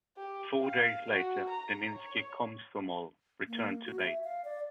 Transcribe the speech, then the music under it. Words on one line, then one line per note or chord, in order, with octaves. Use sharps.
Four days later, "Leninsky Komsomol" returned to base.
G4
F5
F#4
A#5
C#5
A#3
F#4
E5
F5
D5